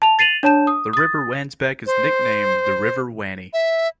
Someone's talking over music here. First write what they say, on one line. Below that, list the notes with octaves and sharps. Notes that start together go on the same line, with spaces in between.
The River Wansbeck is nicknamed the River Wanney.
A5 F7
A6 C7 D#7 F7 F#7
D4 C#5 A5 G6 E7
D#6
D#6 A6
C5
E5